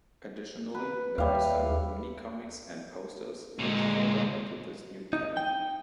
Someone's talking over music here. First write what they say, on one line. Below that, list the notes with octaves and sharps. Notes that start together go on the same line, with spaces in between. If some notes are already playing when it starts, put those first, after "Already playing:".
Additionally, there are several mini-comics and posters which further add to this new canon.
B4
D#2 G3 E5 F5
D2 A#2 G#3
D#4
G5